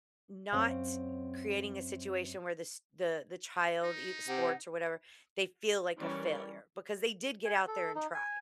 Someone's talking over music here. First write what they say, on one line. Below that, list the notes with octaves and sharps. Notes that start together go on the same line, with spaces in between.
not creating a situation where this the the child, i sports or whatever, they feel like a failure because they did get out there and try,
F#2 C4 C#5 F5
D#4
C3 F#5
E3 G3 C#4 A#4 C#5 D5
G#5
A4
D#4
G#5